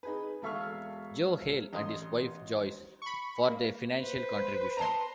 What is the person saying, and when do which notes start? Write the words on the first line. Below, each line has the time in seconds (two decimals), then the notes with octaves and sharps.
"Joe" Hale and his wife Joyce for their financial contribution.
0.03 D#4 G#4 B4
0.42 E1 A4 E5 F5 C#6 F6
1.73 A1 D#5 C6 D#6
3.02 B5 C#6
3.50 A#3
4.00 B4 C5
4.77 D5 A5 A#5 C6